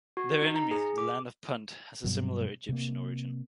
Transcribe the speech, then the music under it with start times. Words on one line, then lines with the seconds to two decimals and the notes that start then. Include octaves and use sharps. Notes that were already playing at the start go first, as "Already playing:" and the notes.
Their enemy, the Land of Punt, has a similar Egyptian origin.
0.17 F#4
0.42 D#4
0.56 A#5
0.71 G#4
0.98 D6
2.04 G2 B2 F#3
2.69 C3 A#3